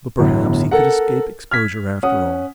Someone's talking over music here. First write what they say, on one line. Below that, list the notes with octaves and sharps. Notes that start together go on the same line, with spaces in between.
But perhaps he could escape exposure after all.
G1 E2 A2 F#3
A4 A#4 F#5
F6 G#6 B6
C#4 F#5 D#6